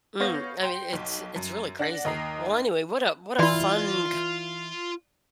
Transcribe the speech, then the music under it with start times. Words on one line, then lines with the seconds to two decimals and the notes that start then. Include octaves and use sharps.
Mm. I mean, it's it's really crazy. Well, anyway, what a what a fun c
0.20 B3 C#5 F5 G6 A#6
0.63 G5 C6
0.93 B1
1.36 F#2
1.79 D4 F#5 A#6 F#7
2.05 D#2 D#5 A#5 C7
3.39 E3 E4 F4 D5 C6